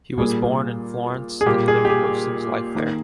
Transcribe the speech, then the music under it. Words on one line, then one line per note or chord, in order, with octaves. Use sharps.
He was born in Florence and lived most of his life there.
A#2 G3 A#3 G#4
G#4
A#2 G3 A#3 G4
G#4
G4
G#4
D#3 A#3